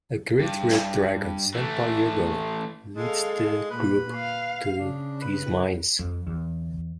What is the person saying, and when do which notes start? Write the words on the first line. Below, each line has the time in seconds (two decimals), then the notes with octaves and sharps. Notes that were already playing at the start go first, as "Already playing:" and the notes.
A great red dragon, sent by Ygorl, leads the group to these mines.
0.40 G2
1.54 E3 A3
2.96 G#3 A4 F5
3.71 A#2 B4
4.15 F5
4.79 C#3 D4
5.21 B4
5.99 F2
6.27 E2